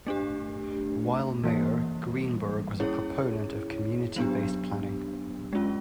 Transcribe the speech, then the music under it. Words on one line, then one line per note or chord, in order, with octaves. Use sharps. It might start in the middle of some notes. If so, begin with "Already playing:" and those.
While mayor, Greenberg was a proponent of community-based planning.
A3 D4 G4
E3 G3 A#3
C#4 E4 G#4 C#5
F#3 B3 D4 G4
G#3 C#4 F4